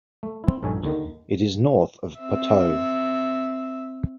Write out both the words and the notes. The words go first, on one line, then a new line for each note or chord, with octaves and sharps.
It is north of Poteau.
A3
C4 E4
A#1 G2 D#4 A4 C#5 G#5
D#2 D3 D#3
C4 E5